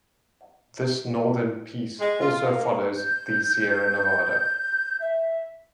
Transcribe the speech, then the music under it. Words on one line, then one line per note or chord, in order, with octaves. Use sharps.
This northern piece also follows the Sierra Nevada.
G#3
F4
A#3
A#3
G6
E5